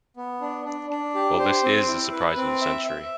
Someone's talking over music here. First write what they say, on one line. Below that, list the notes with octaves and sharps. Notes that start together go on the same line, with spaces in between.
Well, this "is" the surprise of the century.
B3
D4
D4
D4
G4
C5
C4
E4
B4
C4
E5
E5